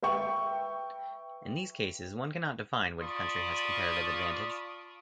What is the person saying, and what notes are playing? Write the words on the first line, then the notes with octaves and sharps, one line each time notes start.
In these cases, one cannot define which country has comparative advantage.
B4 E5 G5 C#6
F4 D5 A5 B5 C#6 D#6